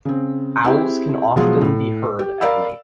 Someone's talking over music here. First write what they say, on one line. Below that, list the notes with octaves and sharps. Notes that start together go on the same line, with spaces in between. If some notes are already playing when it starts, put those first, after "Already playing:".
Owls can often be heard at night.
C#3 C4
C4 E4 G4 G#4
B2 F3 F#3 G#3 F4 G#4
A2
G4
A#4 D5 F5 B5 E6